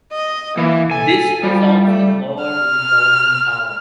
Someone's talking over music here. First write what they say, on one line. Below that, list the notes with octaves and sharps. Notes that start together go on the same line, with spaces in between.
This results in lower resolving power.
D#5
E3 A#3
A4 G#5
F3 G3
A3
F6